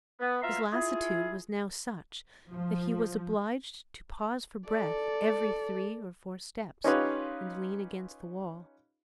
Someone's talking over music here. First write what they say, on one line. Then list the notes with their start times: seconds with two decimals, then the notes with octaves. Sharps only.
His lassitude was now such that he was obliged to pause for breath every three or four steps, and lean against the wall.
0.20 B3
0.43 B2 F4 E5 A#5 C6 F6
0.72 E4 F4 G#4
2.51 F3
4.67 A4 D5
6.84 C#4 D#4 F4 G4 B4 C#5